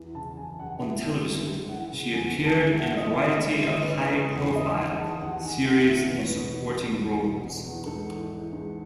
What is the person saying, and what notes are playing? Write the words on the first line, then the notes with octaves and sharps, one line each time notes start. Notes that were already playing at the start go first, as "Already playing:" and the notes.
On television, she appeared in a variety of high-profile series in supporting roles.
Already playing: E2 E3
C#3 A5
F#2 G#5
F#2 F#5
G#2 E5
E3
E3
G#2
E3 F#5
C#3
E2 G#5
E2
A5
G#2 G#5
E5
E3 F#5
D#5
E3 E5
G#2 D#5
G#2 E5
E3 D#5
B4
E3 C#5
G#2 A4
E2
D#3 D#5
D#3 F#5
E2 A5
D#2 F#5
D#3 G#5
D#3 F#5
D#2 E5
E2 B4
C#5
B2 B4
B2
E2
E2
B2
B2
E2
G#2 A4
E3
E3
G#2